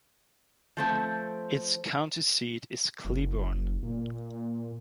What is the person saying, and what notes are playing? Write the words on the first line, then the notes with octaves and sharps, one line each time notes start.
Its county seat is Cleburne.
F3 A3 C4
F#1
A#2